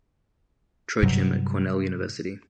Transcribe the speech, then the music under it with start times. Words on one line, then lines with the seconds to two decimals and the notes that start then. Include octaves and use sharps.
Trochim at Cornell University.
1.03 G2 C3 F#3 G3